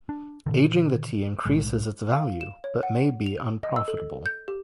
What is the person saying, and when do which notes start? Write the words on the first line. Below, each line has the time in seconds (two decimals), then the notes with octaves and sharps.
Aging the tea increases its value, but may be unprofitable.
0.09 D4
0.46 A#2 D3 D#3
1.46 B1 A2 G#3
2.11 F5
2.41 E7
2.64 C#5
2.83 F#5
3.26 F7
3.63 D#5
3.76 E6
3.88 A4
4.26 G6
4.48 G4